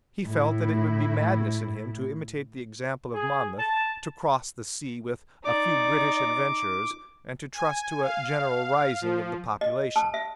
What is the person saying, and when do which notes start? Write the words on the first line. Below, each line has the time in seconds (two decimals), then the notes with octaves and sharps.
He felt that it would be madness in him to imitate the example of Monmouth, to cross the sea with a few British adventurers, and to trust to a general rising of the population.
0.25 A2 E4
3.13 G#4
3.58 A5
5.45 D#4 D5 D6
7.54 G#5
8.03 F5
9.01 F3
9.61 D#5
9.96 A5
10.14 E5